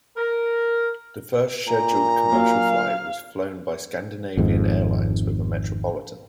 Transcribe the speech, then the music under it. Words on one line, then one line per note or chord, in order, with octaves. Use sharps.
The first scheduled commercial flight was flown by Scandinavian Airlines with a Metropolitan.
A#4
A#2 A#5
F#3 A#3 F5
G#1 F2 G#2